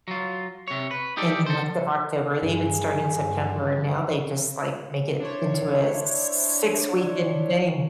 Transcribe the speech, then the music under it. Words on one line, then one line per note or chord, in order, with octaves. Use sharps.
in the month of October- they even start in September. Now, they just, like, make it into a six-weekend thing.
F#3 F4
C3 C#5
B4
D#4 G4 A4 D5
A4 C5
G2 G#4
D4 E4 C5 C#5